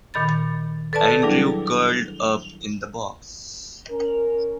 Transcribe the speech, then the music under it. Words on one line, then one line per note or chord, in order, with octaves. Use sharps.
Andrew curled up in the box.
A#2 D#3 B5 A6
A4 B4 D5 A5
F#3 G3 D4 E4 G#4
C#4 A#4